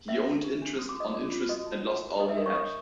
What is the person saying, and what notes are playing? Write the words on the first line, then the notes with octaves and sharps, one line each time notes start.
He owed interest on interest and lost all he had.
C#4 E5 E6
A4
G4
D4
F#4 D#6
D6
F#4 D#5 D#6
F4 D5 D6
F4
F#4 D#5 D#6
D#4
F#4
F#4
C#5 D#5 D#6
E5 E6
A#4 D#5 D#6
C#5 C#6
D4 D#5 D#6